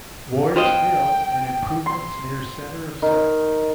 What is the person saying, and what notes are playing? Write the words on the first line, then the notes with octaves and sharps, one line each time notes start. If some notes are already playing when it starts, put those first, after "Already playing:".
Wards Mill and improvements near center of Sec.
F4 C5 D#5 G5
C6
D#3